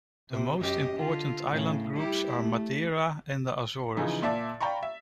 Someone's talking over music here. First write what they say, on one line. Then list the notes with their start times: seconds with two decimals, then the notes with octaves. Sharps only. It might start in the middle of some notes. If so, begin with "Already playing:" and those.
The most important island groups are Madeira and the Azores.
0.31 C3
0.61 F#2 G4 D#5
0.96 D3 F4
1.50 A2 C#3
1.95 G3 E4 G4
2.37 A3
3.97 C#3 E3 F3 D#4
4.22 A#2 D5 E5 A5 D6 A6
4.61 D5 F5 G5 A#5 B5 C#6
4.83 E5